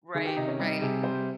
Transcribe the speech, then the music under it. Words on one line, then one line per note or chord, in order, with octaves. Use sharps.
Right, right.
D#3 G#4
G4
C3 D#4
C#4
G3 D#4
C3 G#4
G3 C5